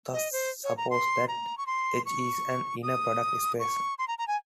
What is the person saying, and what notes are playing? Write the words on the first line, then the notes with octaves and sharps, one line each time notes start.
Thus suppose that "H" is an inner-product space.
D#5
C5
C#5
A#5
C6
A#5
C#6
C6
C#6
D#6
C#6
C6
A#5
A#5
G#5